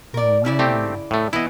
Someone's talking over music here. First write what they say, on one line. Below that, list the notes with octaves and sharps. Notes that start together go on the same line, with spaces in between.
Oh no.
A#4 D5
C#3 E4 D5
A3 C4 G4
A2 A3
E3 B3 E4 D#5